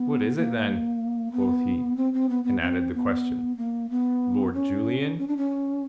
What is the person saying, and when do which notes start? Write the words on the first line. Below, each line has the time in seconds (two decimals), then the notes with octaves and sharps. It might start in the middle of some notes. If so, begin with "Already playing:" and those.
"What is it, then?" quoth he, and added the question: "Lord Julian?"
Already playing: B3
0.37 A#3
1.32 B3
1.97 C4
2.13 C4
2.29 B3
2.44 B3
2.61 C4
2.93 B3
3.57 A#3
3.90 B3
4.54 C#4
5.18 C#4
5.28 D4
5.37 C#4